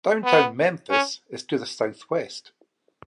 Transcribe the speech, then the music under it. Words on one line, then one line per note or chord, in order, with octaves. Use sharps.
Downtown Memphis is to the southwest.
B3
C#4